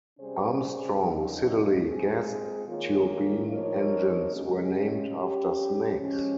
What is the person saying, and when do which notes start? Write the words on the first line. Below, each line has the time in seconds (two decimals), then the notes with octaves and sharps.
Armstrong Siddeley gas turbine engines were named after snakes.
0.18 C3 G3 C#4 G#4 C5
1.02 C#3 F3 A#3 D#4
1.84 G#3 C4 F4 G#4
2.67 D#3 A#3 F4 G#4 C#5
3.49 F3 A#3 D#4 A#4 C#5
4.32 C#3 G#3 C#4 G4
5.14 G3 C#4 G4
5.97 F3 G#3 C#4 G4